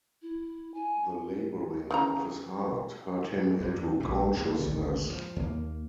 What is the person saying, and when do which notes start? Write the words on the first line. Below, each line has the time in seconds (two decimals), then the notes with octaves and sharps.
The labouring of his heart hurt him into consciousness.
0.22 E4
0.74 G#5
1.91 C#3 E3 A#5
3.61 E2 G2
4.00 A#1 A2
4.35 D2 A#3
4.60 G#1 D2 A#2
5.10 F3
5.36 D#2 A#3